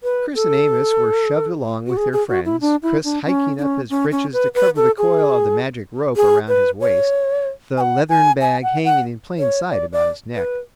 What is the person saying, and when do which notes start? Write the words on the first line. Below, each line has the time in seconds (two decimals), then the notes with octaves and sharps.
Chris and Amos were shoved along with their friends, Chris hiking up his breeches to cover the coil of the magic rope around his waist; the leathern bag hanging in plain sight about his neck.
0.03 B4
0.35 A4
1.87 F#4
1.97 G#4
2.13 G#4
2.29 F#4
2.45 E4
2.61 D4
2.83 E4
3.04 D4
3.26 C#4
3.58 D4
3.62 C#4
3.90 C#4
4.11 C#4
4.33 B4
4.55 B4
4.76 A4
4.98 G#4
6.16 G#4
6.48 B4
6.81 C#5
7.77 G#5
7.81 F#5
8.09 G#5
8.42 G#5
8.63 F#5
8.85 F#5
9.39 C#5
9.71 D5
9.92 D5
10.35 B4